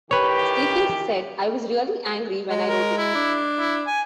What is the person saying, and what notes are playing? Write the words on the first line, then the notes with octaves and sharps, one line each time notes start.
Stephens said I was really angry when I wrote it.
D#3 E3 G4 B4 C#5
G#3
A#4
E4
D4
E4
G#5